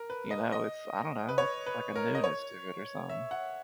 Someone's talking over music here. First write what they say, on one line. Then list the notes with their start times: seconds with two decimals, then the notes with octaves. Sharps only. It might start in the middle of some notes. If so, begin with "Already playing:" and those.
you know, it's, I don't know, like a newness to or something
Already playing: A#4
0.10 B4
0.31 D#5
0.52 D#5
1.29 B4
1.38 C#5
1.66 B4
1.96 A#4
2.15 D#5
2.24 C#5
3.10 E5
3.31 F#5